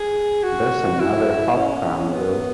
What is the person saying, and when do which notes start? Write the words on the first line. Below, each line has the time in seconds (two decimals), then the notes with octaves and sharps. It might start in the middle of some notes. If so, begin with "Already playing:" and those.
There's another half-crown, Jo.
Already playing: G#4
0.43 F#4
1.00 E4
1.57 C#4
2.13 B3